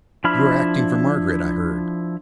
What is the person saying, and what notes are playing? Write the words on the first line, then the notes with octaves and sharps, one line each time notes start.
"You are acting for Margaret, I heard."
F3 D4 E4 B5 F6